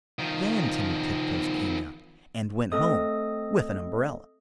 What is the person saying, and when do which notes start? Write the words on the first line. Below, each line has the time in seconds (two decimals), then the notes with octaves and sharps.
Then Timmy Tiptoes came out, and went home with an umbrella.
0.19 D#3 F3
2.72 A3 C4 A4 D#5 D#6